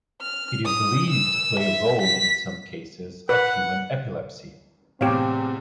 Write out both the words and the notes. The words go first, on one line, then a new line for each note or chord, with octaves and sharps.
It is believed to play a role in some cases of human epilepsy.
F6
D#6
E6
E5
B6
B4 F#5
E2 A2 C3 C4 G4 C#5 F5